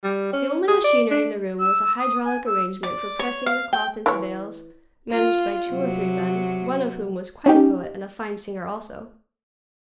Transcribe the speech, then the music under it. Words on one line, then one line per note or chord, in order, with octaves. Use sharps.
The only machinery in the room was a hydraulic arrangement for pressing the cloth into bales, managed by two or three men, one of whom was quite a poet, and a fine singer also.
G3
C#4
G#4
D5
D4
E6
D#6
G#5
E6
D5
C#5
F5
G5
E3 C#5
F4
C3 F#3
C#4 D#4 G4